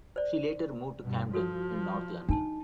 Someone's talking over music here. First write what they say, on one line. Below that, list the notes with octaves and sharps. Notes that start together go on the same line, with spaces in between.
She later moved to Camden in North London.
C5 D5
G2 B2
F3 F#4 A4
D4 D#4 A5